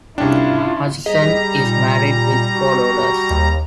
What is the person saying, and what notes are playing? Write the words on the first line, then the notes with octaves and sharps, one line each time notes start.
Hutchison is married with four daughters.
C2 C#4 D4 E4 F4 G5
G3 G#4 D#5 A#5 B6
A#2 D#4
F#4
D#2